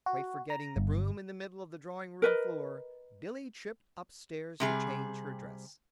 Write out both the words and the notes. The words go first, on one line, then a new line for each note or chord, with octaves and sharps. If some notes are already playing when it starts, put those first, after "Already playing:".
Quite forgetting the broom in the middle of the drawing-room floor, Billy tripped up-stairs to change her dress.
F#4
A#5
G1
A#4 B4 D#5
C3 G3 G#4